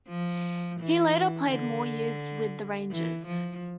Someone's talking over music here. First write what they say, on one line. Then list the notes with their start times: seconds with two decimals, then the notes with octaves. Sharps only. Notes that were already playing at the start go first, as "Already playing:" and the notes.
He later played more years with the Rangers.
0.08 F3
0.80 E3
1.50 D3
2.90 E3
3.27 F3